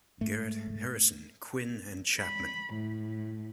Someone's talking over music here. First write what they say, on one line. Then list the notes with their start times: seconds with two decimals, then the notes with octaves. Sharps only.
Garrett, Harrison, Quinn and chapman.
0.21 G#2 A3
2.19 B5
2.72 A2